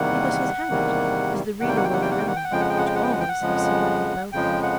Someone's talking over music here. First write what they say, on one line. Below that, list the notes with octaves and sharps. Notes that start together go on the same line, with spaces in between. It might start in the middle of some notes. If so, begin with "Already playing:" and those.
It was his habit, as the reader will remember, to always have some money about him.
Already playing: E2 C3 D#3 G3 A#3 F#5
E2 C3 D#3 G3 A#3
E2 C3 D#3 G3 A#3 F#5
G5
F#5
G5
F#5
G5
F#5
G5
F#5
G5
F#5
F2 C#3 F3 G#3 G5
F#5
G5
F#5
G5
F#5
G5
F#5
G5
F#5
F2 C#3 F3 G#3
F2 C#3 F3 G#3 G5
F#5